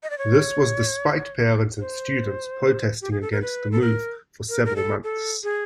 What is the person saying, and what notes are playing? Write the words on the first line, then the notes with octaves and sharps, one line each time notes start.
This was despite parents and students protesting against the move for several months.
D#5
D5
C#5
C5
G4
G#4
A4
A#4
B4
A4
A#4
A#4
A#4
A4
A4
G#4